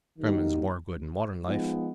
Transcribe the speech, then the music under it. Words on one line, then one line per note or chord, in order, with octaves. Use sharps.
German's more good in modern life.
D#3 F#3 A#3 D#4 G4
F3 G#3 B3 D#4